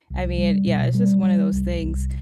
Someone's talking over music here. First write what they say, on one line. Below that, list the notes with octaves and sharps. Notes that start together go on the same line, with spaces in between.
I mean, yeah, it's just one of those things,
C2
G3
B2
G3
G3
C2
C2